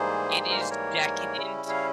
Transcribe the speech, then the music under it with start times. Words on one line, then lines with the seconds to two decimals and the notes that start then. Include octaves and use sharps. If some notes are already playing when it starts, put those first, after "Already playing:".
it is decadent
Already playing: G#2 E3 G3 A#3 G#4 C5
0.31 G4
0.41 G#4
0.50 A#4
0.60 C5
0.70 A#4 C#5
1.36 C#3 G3 C#4 E4
1.69 C#5 F5